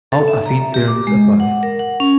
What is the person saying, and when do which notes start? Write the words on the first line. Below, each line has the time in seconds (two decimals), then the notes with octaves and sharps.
All affine theorems apply.
0.12 A4
0.28 E5
0.46 A#5
0.74 G4
0.88 D6
1.07 G#3
1.40 F#5
1.63 A#4
1.79 F#5
2.00 C#4